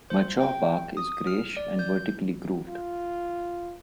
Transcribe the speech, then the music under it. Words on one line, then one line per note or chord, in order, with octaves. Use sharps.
Mature bark is grayish and vertically grooved.
C5
G5
D#6
F6
D5
G6
F4